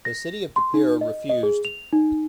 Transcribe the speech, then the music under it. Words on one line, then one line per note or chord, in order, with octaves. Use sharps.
The city of De Pere refused.
A#6
C6
D#4
D#5
D#5
G#4
F7
D#4